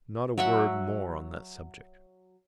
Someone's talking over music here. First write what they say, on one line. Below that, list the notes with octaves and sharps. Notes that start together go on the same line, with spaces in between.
Not a word more on that subject!
F#3 E5 F#5